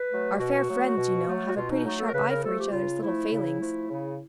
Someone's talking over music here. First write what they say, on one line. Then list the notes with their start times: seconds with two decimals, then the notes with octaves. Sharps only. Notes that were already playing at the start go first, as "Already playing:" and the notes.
Our fair friends, you know, have a pretty sharp eye for each other's little failings.
Already playing: B4
0.10 F#3 A3
0.33 G4
0.38 B2 F#4
0.69 F#3 A3
0.97 B2
1.27 F#3 A3
1.48 F#4
1.56 B2 F4
1.71 D#4
1.85 F#3 A3 D#4
1.99 A4
2.07 A#4
2.14 C#3 B4
2.29 A#4
2.43 F3 A3 A4
2.59 G4
2.72 C#3 F4
3.02 F3 A3 E4
3.31 C#3
3.60 F3 A3
3.90 C#3